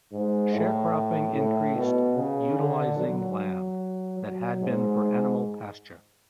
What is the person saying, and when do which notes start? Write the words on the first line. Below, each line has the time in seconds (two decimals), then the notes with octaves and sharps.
Sharecropping increased utilising land that had been for animal pasturage.
0.12 G#2
0.53 A2
1.35 A2
1.75 B2
2.16 C#3
2.57 D3
2.97 F#3
4.20 F#3
4.61 G#2